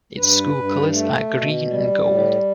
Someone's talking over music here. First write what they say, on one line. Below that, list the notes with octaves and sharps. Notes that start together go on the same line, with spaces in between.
Its school colors are green and gold.
G2 B4
G2
A3
B2
G3
A2